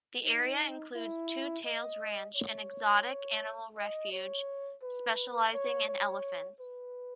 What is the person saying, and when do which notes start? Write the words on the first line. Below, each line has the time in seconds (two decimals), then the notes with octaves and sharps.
The area includes Two Tails Ranch, an exotic animal refuge specializing in elephants.
0.24 D#4
0.95 E4
1.65 D#5
2.36 C#5
3.77 D#5
4.12 C#5
4.83 B4
5.53 C#5
5.89 C#5
6.59 B4